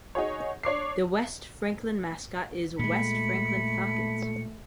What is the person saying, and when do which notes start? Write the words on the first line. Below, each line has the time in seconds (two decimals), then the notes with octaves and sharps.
The West Franklin mascot is West Franklin Falcons.
0.15 D#4 F#4 G#4 C#5
0.63 D4 C#5 D6 C7
2.79 A#2 G#3 A3 B5 C#7